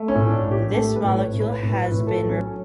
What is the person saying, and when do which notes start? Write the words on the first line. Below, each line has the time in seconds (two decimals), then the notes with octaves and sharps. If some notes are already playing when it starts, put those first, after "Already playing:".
This molecule has been reported to have broad-spectrum antimicrobial activity that includes human pathogens.
Already playing: A3
0.08 C#4
0.15 A2
0.29 D4
0.44 A2
0.51 G4
0.74 A3 A4
0.96 B4
1.04 A2
1.18 C#5
1.34 A2
1.40 B4
1.62 A2 B4
1.85 B4
1.92 A2
2.07 A4
2.22 F#3
2.29 C#4